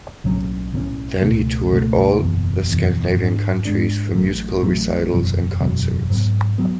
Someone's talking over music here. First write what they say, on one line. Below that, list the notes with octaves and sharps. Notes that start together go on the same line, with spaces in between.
Then he toured all the Scandinavian countries for musical recitals and concerts.
B1 A2 F#3 C#4
B1 A2 F#3 C#4
C#2 B2 A3
C#2 B2 A3
F#1 E2 B2
F#1 E2 B2
G#2 G#3 D4
G#2 G#3 D4
A1 A2 F#3 A3
A1 A2 F#3 A3
F#1 E2 B2 F#3
F#1 E2 B2 F#3
G#2 F#3 B3
F#3 B3